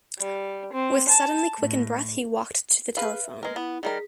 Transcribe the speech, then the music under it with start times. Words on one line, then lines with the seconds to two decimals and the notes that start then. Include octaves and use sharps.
With suddenly quickened breath he walked to the telephone.
0.19 G3
0.73 C4
1.09 A5
1.59 A2
2.97 G#4 B4 F5
3.23 E5
3.43 G#3 A#4 B4
3.56 B3 E4
3.83 D#3 G3 G#4 A#4